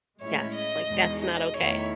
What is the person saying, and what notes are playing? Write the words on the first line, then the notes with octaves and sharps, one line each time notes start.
Yes, like, that's not okay.
A2 G#3 C#4 E4 C#5
D#5
E2 B2 G#3 D#4
D#5
E2 D#3 A3 E4 C#5